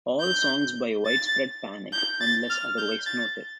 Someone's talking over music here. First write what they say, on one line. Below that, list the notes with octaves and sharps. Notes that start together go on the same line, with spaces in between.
All songs by Widespread Panic unless otherwise noted.
G6
A6
G6
A6
F6
G6
A6